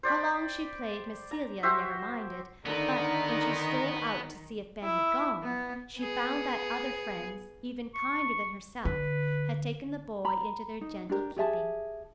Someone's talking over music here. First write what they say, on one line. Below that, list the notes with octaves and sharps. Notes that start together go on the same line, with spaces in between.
How long she played Miss Celia never minded; but, when she stole out to see if Ben had gone, she found that other friends, even kinder than herself, had taken the boy into their gentle keeping.
C5 D5 G5 B5
A#5
F#4 G4 C5 E5
D3 D#3 B3 D#4 A#4
E4
B3
B3 G#4
C#6
D3 B4
A#5 B5
D#4
D4 G4 A#4
G4 G#4 E5 A5